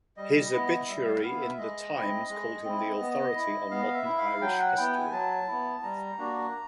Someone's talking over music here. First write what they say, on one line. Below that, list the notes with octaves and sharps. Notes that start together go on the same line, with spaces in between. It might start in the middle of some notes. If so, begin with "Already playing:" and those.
His obituary in "The Times" called him "the authority on modern Irish history".
G3 D#5
B3 E4
G3 E5
F5
B3 E4 F5
E5
G#3 D#5
C4 E4
G#3
C4 E4
B3
E4
B3 F5
E5
E4
F5
F#3 G5
F#5
B3 E4 G5
G#5
F#3 A5
B3 E4
G3 A#5
A#3 D4 F#4